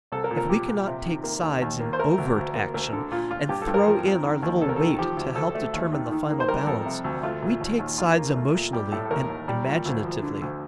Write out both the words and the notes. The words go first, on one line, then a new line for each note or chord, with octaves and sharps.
If we cannot take sides in overt action, and throw in our little weight to help determine the final balance, we take sides emotionally and imaginatively.
C2 A4
A#4
A#2
A#4
F3 G4
A#2
C3
D#3
A#3
D#2
D#2
A#3
C5
A3 A#4
D2
D2
A#3
D2 A#4
D3 A4
A#2 F4
A#2 F4
G2 G4
A4
G2
A#4
F3
F2
D#3
D#2
C2 A4
A#4
D#3 A4
F3 G4
D2
D2 A4
A3
D#2
D#3
D#3
A#3
C5
G3 A#4
F2 A4
C3
D2
A3 F4
A#2
D#2
D#2
D#2 F4
A#3
A3
A#2
G3 G4
A2 A4
A4
D#2 A#4
D#2
G3
A#2
D2
F3
D3
D2